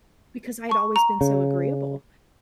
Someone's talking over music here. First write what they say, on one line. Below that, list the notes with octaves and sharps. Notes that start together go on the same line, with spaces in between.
because I'd always been so agreeable.
A5 C#6
A#5
C#3